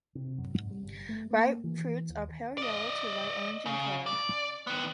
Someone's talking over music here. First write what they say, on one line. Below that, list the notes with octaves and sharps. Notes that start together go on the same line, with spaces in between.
Ripe fruits are pale yellow to light orange in color.
C3
F#2
G#2
G3
G1
A3
A#3
E3
D#2
D5 D#5
C#3
D5
D#3 B3